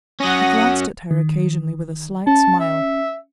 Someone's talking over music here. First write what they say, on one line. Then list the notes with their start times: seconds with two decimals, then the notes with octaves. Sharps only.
He glanced at her occasionally with a slight smile.
0.20 F#3 C#4 F#5 D#6 A#6
1.11 D#3
2.27 C#4 A5
2.60 E5